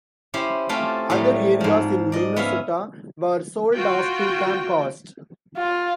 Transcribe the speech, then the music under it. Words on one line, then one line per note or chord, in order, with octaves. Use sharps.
Other areas in Minnesota were sold off to Comcast.
C#4 E4 G4 C5
A3 C4 C#4 F4 G4 A4
A2 F#3 G3 A3
G#2 F3
D5 D#5
B3 C#4 E5 F5
F4 F#4 G5
F4